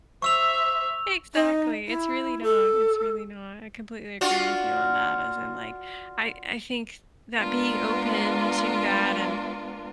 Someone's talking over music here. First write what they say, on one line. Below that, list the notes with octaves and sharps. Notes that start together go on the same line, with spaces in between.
Exactly, it's really not, it's really not, I completely agree with you on that as in like, I I think that being open to that and
C5 E5 C#6 E6 F7
D#4
E4
A4
D4 F4 F#4
G#3 B3 D4 F4 A#4